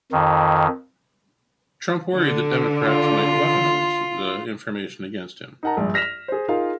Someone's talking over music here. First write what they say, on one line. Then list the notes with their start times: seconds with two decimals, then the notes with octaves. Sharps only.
Trump worried that Democrats might "weaponize" the information against him.
0.12 F2 D#3
2.14 D3
2.85 F4
5.63 D#4 A#4 F#5 A5 A#5
5.77 A#1 G2
5.94 F6 A#6 B6 E7 F7
6.28 G#4 C5
6.48 D#4 F4 G#4 A#4 F5